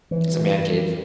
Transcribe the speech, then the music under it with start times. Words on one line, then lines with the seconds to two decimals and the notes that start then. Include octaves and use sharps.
It's a man cave.
0.11 E3